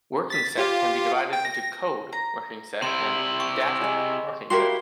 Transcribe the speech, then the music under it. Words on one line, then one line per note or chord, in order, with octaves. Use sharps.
Working set can be divided into "code" working set and "data" working set.
A6 B6
F4 G4 F5
G5
A#6
A#5
C3 E4 C6
G4 C#6
G#4 D#5
A#3 E4 F#4 G4 A#4 C6 G7